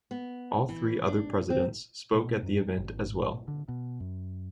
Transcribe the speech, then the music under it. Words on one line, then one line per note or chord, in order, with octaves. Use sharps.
All three other presidents spoke at the event as well.
B3
E3
D4
C4
B2
F#2
G#1
D3
B2
F#2